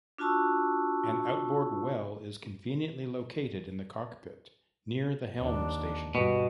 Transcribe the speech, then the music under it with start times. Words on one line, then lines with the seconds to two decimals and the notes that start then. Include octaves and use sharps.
An outboard well is conveniently located in the cockpit near the helm station.
0.18 D4 F4 F#4 A5 C#6 E6
5.39 D#2 D4
6.15 G2 B2